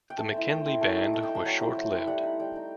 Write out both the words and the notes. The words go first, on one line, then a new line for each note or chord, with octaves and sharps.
The McKinley band was short-lived.
G5
A3 A5
C4 E4
A3 G5
C4 E4
A3
D#4
A3 A5
G5
D#4
A5
F#3 G5
C4 E4
F#3
C4 E4
G3 F#5
D#4
G3 G5
D#4